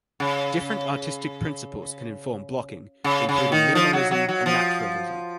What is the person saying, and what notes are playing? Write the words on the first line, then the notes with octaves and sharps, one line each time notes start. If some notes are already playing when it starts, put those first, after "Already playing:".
Different artistic principles can inform blocking, including minimalism and naturalism.
C#3
C#3
C#3
D#3
F3
F#3
F#3
F#3
F3